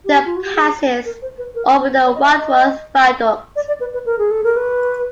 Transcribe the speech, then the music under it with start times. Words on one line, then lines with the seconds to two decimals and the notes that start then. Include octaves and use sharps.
It then passes over the Wadworth Viaduct.
0.05 G4
0.25 F4
0.36 F#4
0.44 G4
0.55 G#4
1.05 A#4
1.22 C5
1.38 B4
1.55 A#4
1.80 C5
2.05 C#5
2.15 D#5
2.22 E5
2.38 D#5
3.56 D5
3.68 D5
3.80 B4
3.93 B4
4.06 A#4
4.18 G#4
4.31 A4
4.44 A#4
4.56 B4